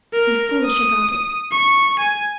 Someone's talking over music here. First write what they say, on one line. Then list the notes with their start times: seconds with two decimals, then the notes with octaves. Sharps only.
Be foolish about it.
0.13 A#4
0.65 D#6
1.52 C#6
2.00 G#5